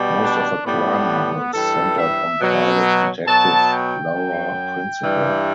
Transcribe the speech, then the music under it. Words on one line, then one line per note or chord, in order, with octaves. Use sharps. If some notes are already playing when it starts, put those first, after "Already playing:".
Most of her crime novels centred on private detective Laura Principal.
Already playing: B2 G3
D4
A2 G3 B3
G2 E3 G3 A4
E5
B2 F#3
B2 F#3 A5
G5
F#2 F#3
G2 E3 G3